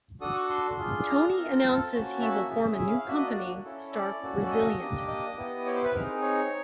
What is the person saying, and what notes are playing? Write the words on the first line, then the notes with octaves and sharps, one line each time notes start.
Tony announces he will form a new company, Stark Resilient.
D4 F#4 A4 D#6
C#6
C6
D4 F4 G#4
A#5
C4 F4 A4
A#5
A5
A#3 C#4 F#4
E5
C#4 E4 G#4
E5
F5
F5
A#3 D4 F#4 E5
D#5
D5
C#4 E4 A4
D5
A#3 C#4 F#4 A4
D5
D#5
A#3 D4 G4
D#5
B3 E4 G4
C#5
C5
B4
C4 D#4 G#4 A#4
C#5